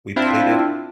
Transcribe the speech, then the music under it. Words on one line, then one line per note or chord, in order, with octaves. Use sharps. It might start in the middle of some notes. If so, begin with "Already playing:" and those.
We played it
C4 D4 E4 F4